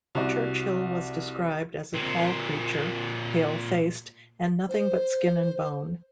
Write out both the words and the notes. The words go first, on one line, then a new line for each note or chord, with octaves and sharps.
Churchill was described as a tall creature, pale-faced, and nothing but skin and bone.
C2 F#4 D5
A#2 C4
C5